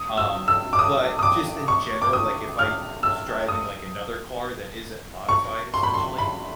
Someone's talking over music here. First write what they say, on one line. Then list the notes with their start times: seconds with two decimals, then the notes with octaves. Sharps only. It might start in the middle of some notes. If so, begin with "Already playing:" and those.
um, but just in general, like if I just driving, like, another car that isn't modified, essentially,
Already playing: D#6
0.18 E6
0.48 E6
0.73 D6
0.79 D#6
1.19 D#6
1.23 D6
1.68 C#6
2.02 D6
2.13 D#6
2.59 F6
3.03 E6
3.48 D#6
5.29 C#6
5.74 C6
5.83 B5
5.94 C6
6.18 B5